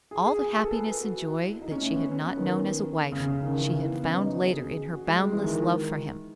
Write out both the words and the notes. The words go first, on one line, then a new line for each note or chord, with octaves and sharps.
All the happiness and joy that she had not known as a wife, she had found later in her boundless love for him.
G#4
G#4
G#4
A4
B4
A4
F#4
E4
D#4
C#4
A3
B3
C#4
B3
D#3
C#3
C#3
D#3
E3
B3
B3
C#4
D#4
F#4
G#4
G#4
F#4
G#3
G#3
E3
D#3